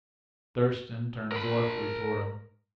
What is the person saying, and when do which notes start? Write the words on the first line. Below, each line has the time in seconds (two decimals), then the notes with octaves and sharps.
Thurston turned joyfully toward him.
1.32 A#4 B5